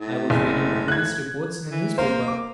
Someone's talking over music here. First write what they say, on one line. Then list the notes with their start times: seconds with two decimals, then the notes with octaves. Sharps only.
I was reading the police reports in a newspaper.
0.01 A2
0.30 F#1
0.88 F#6 G#6
1.71 E3
1.98 A#3 C5
2.28 D6